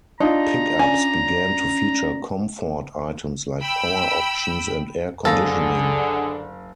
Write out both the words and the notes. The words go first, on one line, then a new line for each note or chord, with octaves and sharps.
Pickups began to feature comfort items like power options and air conditioning.
D4 D#4 F4 A#5
C#4 D5 G#5
G5 B5 E6
F#1 D3 G#4 A4 F5 A#6